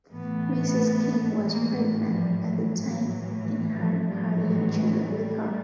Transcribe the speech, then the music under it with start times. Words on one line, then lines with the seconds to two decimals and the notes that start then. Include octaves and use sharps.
Mrs. King was pregnant at the time and had her young children with her.
0.12 A2 E3 A3 B3
1.44 A2 E3 G#3 A#3
1.77 G3 A3
2.10 F3 G3
2.43 E3 F#3
2.76 A2 E3
3.76 F3 G3
4.09 A2 E3 F3 G3
4.42 F#3 G#3
5.08 G3 A3